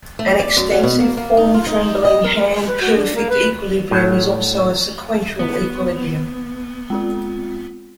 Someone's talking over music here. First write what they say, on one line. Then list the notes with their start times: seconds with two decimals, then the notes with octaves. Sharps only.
An extensive-form trembling hand perfect equilibrium is also a sequential equilibrium.
0.19 A3
0.40 D5
0.57 F#2
0.72 F#3
0.83 B2
1.00 A#3
1.17 A#3
1.37 D#4
1.54 F4
1.67 D#4
2.05 D#5
2.24 A#4
2.68 B4
2.81 F#4
2.96 D4
3.14 A#3
3.29 B4
3.91 A2 F#3
5.39 B3
6.90 G#3 C4 F4